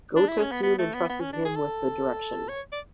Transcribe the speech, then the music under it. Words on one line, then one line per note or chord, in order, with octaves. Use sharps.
Goethe soon entrusted him with the direction.
D4
E4
C#4
B3
B3
A3
B3
B3
C#4
D4
G#4
A4
C#5
D5